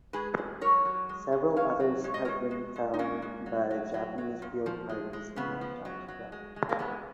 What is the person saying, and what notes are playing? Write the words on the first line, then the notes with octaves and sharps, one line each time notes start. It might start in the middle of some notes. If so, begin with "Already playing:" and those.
Several others have been found by Japanese field parties in Antarctica.
G#3 G#4 B4
G#3
F#3 A#4 C#5
F#3
G#3
G#3
F#3 C#5 F5
F#3
G#3 C#5
D#5
G#3 A#4 C#5
G#3
G#3
D#4
G#3 A#3 C#4
G#3
F#3
F#3
F#3
F#3
A#2
F3
G#3
G#3
C#3 B3
F3
F#3
F#3
G#3
G#3
A#3
G#3 B3